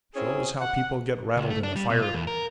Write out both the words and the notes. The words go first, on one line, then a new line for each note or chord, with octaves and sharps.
Shows how people get rattled in a fire.
C4 C#4 E4 G#4
F#5
C#2
A3
D4
G3
B2
F4
E2
A#4